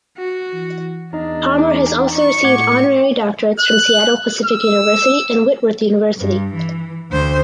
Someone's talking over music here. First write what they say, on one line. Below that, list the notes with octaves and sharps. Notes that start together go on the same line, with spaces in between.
Palmer has also received honorary doctorates from Seattle Pacific University and Whitworth University.
F#4
E3
E2 D4 D#4 D#5
D#4 D6
C#6 C#7
A2 F#5 D6 G#6
F#6
E6
G2
E3
D2 C5